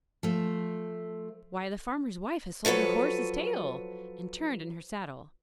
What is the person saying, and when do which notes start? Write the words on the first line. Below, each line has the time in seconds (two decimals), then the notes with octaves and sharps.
'Why, the farmer's wife has sold her horse's tail!' and turned in her saddle.
0.23 F3 A3
2.65 F3 F#3 A4 B4 C#5